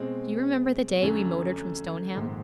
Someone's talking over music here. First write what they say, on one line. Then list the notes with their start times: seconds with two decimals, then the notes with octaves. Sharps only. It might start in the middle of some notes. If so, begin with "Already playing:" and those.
'Do you remember the day we motored from Stoneham?
Already playing: B2 G#3 C4
1.02 F2 D3 F#3 A3 C#4
2.15 A#1 G#2 D#3 G#3